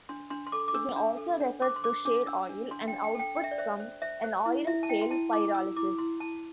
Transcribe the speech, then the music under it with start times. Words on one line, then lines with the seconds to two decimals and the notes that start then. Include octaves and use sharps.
It may also refer to shale oil, an output from an oil shale pyrolysis.
0.09 D4 C6
0.30 D4 C6
0.47 C6
0.52 A4 D6
0.68 D6
0.74 D4 E6
0.96 D4
1.18 A4
1.40 D4
1.62 C5 D6
1.76 C6
1.84 C5 D6
2.05 D4 D6
2.27 D4 E6
2.49 D4
2.71 D4 C6
2.88 D4 G5
3.04 G5
3.15 A4 G5
3.36 D4 G5
3.44 E5
3.51 D5
3.58 C5 E5
3.80 C5
4.02 C5 E5
4.24 C5
4.46 E4
4.67 E4 E5
4.83 A5
4.89 E4 G5
5.01 C6
5.11 E4 A5
5.32 E4 D6
5.55 E4 E6
5.76 E4 D6
5.98 E4 C6
6.20 E4 A5